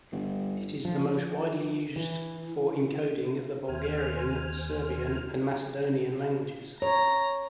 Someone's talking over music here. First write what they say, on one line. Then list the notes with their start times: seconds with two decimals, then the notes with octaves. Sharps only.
It is the most widely used for encoding the Bulgarian, Serbian and Macedonian languages.
0.12 G1
0.85 F3
1.96 E3
3.68 D#2 C5 G#5 F6
6.82 C#5 A#5